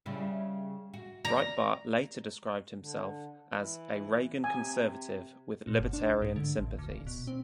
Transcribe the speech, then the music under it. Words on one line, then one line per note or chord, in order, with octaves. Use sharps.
Breitbart later described himself as "a Reagan conservative" with libertarian sympathies.
C#3 G3 E4
F#4
D5 A#5
D3
E3
C3 G#5
A#2
F#1
D4
C2
G#2
D3
A1
D2
D1
B2
C4